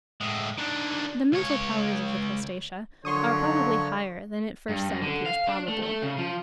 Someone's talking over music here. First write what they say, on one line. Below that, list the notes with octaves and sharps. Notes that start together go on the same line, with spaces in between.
The mental powers of the Crustacea are probably higher than at first sight appears probable.
A2 G#3
D#3 D4
C#2 C#5
F#2 D3 F3 F#3 C#5 C6 C#6 D#6
G2
F#2
D3
F5
D4
A3
A3
C#3
F3